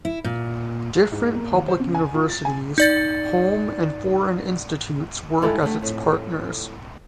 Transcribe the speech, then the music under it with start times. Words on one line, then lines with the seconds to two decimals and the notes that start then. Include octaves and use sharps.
Different public universities, home and foreign institutes work as its partners.
0.05 E4
0.24 A#2
1.12 G#2
1.35 A#3
1.51 D#2
1.68 C5
1.80 C#3
1.95 G#5
2.15 F4
2.29 A6
2.45 G#5
2.78 D#4 D5 A6
5.42 D#3 G3 G#3 E4 F4 A4
5.62 D3 G3 A3
5.81 F2 A2